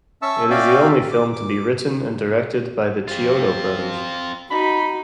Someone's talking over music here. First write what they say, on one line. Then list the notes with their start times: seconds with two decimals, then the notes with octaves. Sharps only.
It is the only film to be written and directed by the Chiodo Brothers.
0.22 C#4 E5 A5 C#6 E6
0.50 C#4 F#4 D5 E5 F5 G5
1.11 D6
1.33 D6
3.08 C4 F4
4.51 D#4 F#4 B5